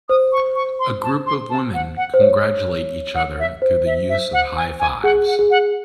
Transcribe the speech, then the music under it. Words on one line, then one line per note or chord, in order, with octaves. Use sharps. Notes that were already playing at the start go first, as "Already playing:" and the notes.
A group of women congratulate each other through the use of highfives.
C5 D#6
C#6
C#6
C6
A5
C6
A5
F#5
F#5
C5
C#5
F#5
E5
C5
E5
E5
F#5
G#5
G#5
G#4 F#5
F#5
G#4
F#5